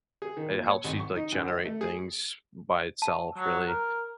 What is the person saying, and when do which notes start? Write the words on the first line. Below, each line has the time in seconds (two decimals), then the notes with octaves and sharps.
it helps you, like, generate things by itself, really,
0.22 G#4
0.37 D#3
0.50 A#2
0.65 C#5
0.84 G#1
1.00 C#6
1.16 D#4
1.32 F#2
1.48 D#5
1.65 A3
1.81 G#4
3.02 A5
3.38 F#3
3.68 A#4